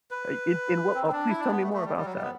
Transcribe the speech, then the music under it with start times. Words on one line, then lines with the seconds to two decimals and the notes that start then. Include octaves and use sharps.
Uh, in in wha uh, please tell me more about that.
0.11 B4
0.94 C4
1.07 C4
1.12 D4
1.29 E4
1.39 D4
1.51 B3
1.62 A3
1.73 A3
1.85 G3
1.97 G3
2.05 F#3
2.13 G3
2.22 B3